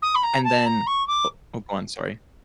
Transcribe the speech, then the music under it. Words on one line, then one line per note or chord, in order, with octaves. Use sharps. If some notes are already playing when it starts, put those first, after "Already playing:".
And then, o oh, go on, sorry.
D#6
B5
A#5
A5
A#5
C#6
D6